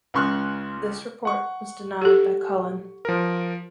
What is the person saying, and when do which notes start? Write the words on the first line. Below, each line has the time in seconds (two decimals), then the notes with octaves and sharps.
This report was denied by Cullen.
0.14 C#2 C#3 C6 C#6 F6 F#6
1.25 F#5 C#6
2.02 G4 A4
3.05 F3 A#4